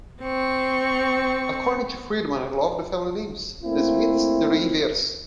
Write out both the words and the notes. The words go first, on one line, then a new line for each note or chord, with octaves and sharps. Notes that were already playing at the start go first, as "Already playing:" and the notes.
According to Freedman I loved the family names - the Smiths, the Reivers.
C4 C#6
A3 A#3 C4 E4